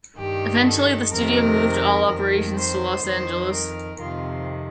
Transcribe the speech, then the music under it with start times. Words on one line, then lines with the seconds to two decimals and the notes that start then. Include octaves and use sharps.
Eventually the studio moved all operations to Los Angeles.
0.17 G2 D#3 G4
0.65 A4
1.12 F2 C3 D#3 A#4
2.08 F2 D#3 A#4
2.56 C5
3.04 F2 D#3 C5
3.51 A#4
3.99 F2 C3 D#3 F4